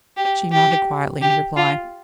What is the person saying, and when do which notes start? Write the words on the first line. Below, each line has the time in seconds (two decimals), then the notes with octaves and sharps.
She nodded quietly in reply.
0.17 G4
0.52 G4
1.22 G4
1.56 F4